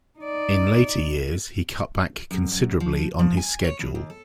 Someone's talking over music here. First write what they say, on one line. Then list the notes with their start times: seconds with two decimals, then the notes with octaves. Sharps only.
In later years, he cut back considerably on his schedule.
0.19 D#4 D5
2.31 F#2
2.52 F#2
2.80 F3
3.19 F3
3.37 G#5
3.64 C#5
3.79 E2
3.95 D#2
4.10 A4